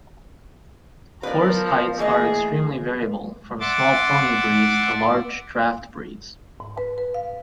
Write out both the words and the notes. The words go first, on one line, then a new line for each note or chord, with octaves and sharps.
Horse heights are extremely variable, from small pony breeds to large draft breeds.
F3 B3 A#4 B4 D5
E3 A3 A#3 G#4 D5 D#5
D5 E5 F#5 C6 D6 A6
G#2
B4
B4
F5